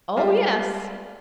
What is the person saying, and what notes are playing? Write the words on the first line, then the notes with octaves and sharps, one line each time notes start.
"Oh, yes."
G3 G#3 F4 D5 E5 F5